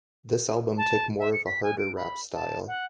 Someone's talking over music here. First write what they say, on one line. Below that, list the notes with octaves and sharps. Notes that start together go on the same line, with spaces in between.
This album took more of a harder rap style.
A5
E5
C#7
B6
G#5
D7
B5
A5
F#5